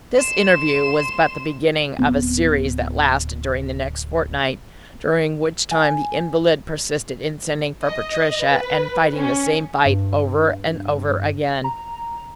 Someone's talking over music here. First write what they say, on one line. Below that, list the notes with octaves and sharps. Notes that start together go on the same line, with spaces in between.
This interview was but the beginning of a series that lasted during the next fortnight, during which time the invalid persisted in sending for Patricia and fighting the same fight over and over again.
C6 E7
D1 B2 B3 C4
G#5
D#5
B4
C#4
G2
A#5